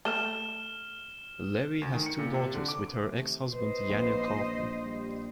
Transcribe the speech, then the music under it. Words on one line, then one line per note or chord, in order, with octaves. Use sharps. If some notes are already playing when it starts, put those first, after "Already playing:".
Levi has two daughters with her ex-husband Yaniv Kaufman.
A3 F6 E7 G7
D2
D#3
C#7
A#2
C3
D3
D6
C3 D#3 A3
B4 C5 D#5
A#1
G3